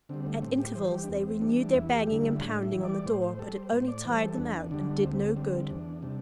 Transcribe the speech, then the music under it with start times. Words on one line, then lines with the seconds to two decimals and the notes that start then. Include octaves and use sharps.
At intervals they renewed their banging and pounding on the door, but it only tired them out, and did no good.
0.09 D3 G3 C4
0.27 A3
0.42 A2 C4
0.58 G4
0.75 E3 G3 C5
0.92 G4
1.04 D4
1.08 E2 C4
1.41 E3 G3 D4
1.74 E2 E4
1.90 G4
2.07 D3 G3 E4
2.24 E4
2.40 A2 D4
2.63 E4
2.73 E3 G3
2.84 D5
3.06 A2 C5
3.22 C5
3.39 G3 A4
3.56 C5
3.72 A2 C5
3.88 D5
4.04 E3 G3 C5
4.22 A4
4.37 E2 D4
4.71 D3 G3 D4
5.04 D2 C4
5.36 D3 G3 C4
5.69 E2 D4
6.02 C3 G3 D4